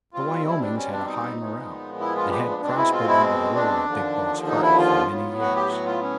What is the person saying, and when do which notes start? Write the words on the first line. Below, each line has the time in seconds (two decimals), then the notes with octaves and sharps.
The Wyomings had a high morale, and had prospered under the rule of Big Boss Hart for many years.
0.14 B2 G3 C4 F4
0.45 E4
0.61 D4
0.76 C#4
0.91 D4
1.07 D#4
1.38 A#2 F3 G#3 B3
2.00 E4
2.15 F4
2.31 G4
2.51 D4
2.61 B2 G#3 C4 D4
2.77 E4
2.92 F4
3.08 E4
3.55 D4
3.85 D#2 D3 F3
4.47 D#4
4.63 E4
4.78 F4
5.09 A2 F#3 B3
5.40 F#4
5.55 G4
5.71 F#4
5.86 F4
6.02 C#4